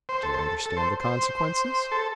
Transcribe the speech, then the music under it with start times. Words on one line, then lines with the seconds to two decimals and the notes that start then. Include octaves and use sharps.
"Do you understand the consequences?"
0.09 C5
0.23 A4
0.34 C5
0.39 A4
0.66 A4
0.77 C5
1.00 C5
1.92 A4